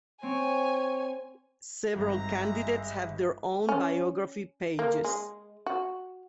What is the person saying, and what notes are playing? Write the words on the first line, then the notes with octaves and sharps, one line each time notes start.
Several candidates have their own biography pages.
C4 C#5 G#5
G#1 G2 G#3 E5 A#5
C#4
A#3
G#3
F#4